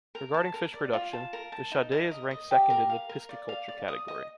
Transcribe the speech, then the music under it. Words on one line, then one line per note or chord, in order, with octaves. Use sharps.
Regarding fish production, le Chadet is ranked second in the pisciculture category.
A#4
A5
A#4
D5
F4
A5
A#4
A5
D#4
A#4
D#5
D#5
G4
A#4
F5
A#4
D5
F5
D5
D#6
D#5